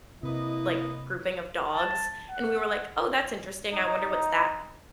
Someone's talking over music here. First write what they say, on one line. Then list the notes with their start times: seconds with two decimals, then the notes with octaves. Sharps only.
like, grouping of dogs. And we were like, "Oh, that's interesting. I wonder what's that
0.23 C3 A#3 E4 B4 D#5
1.71 A5
2.29 F#5
3.72 D#4